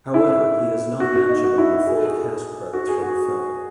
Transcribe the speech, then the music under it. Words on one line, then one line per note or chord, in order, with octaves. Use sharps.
However, he is not mentioned on the full cast credits for the film.
E4
F#4
F#4
D#4
F#4
E4
F#4
G#4
A4
G#4
F#4
G#4
F#4